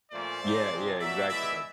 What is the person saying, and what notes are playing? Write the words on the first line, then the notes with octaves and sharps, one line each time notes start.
Yeah, yeah, exactly, like
A#2 F3 A3 C#4 C5 D5
G#2 F3 A3 C4
C3 F3 G#3
B2 F#3 A#3 D5 E5
E3 G#3 B3 E4 D5 E5